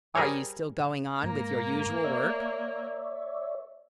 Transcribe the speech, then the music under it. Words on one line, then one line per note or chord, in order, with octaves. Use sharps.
"Are you still going on with your usual work?"
G3 G#4 A#4 C5 C#5
G#2 A#3 A#5
C#5 D5 E5